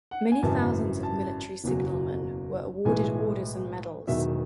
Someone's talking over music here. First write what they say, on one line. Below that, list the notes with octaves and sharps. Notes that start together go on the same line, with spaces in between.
Many thousands of military signalmen were awarded orders and medals.
F#5
G#5
G#1 F#2 C#3 E3 A5
A5
F#1 E2 B2 F#3
B1 A2 E3 G#3 G#5
E1 E2 D#3 F#3 E5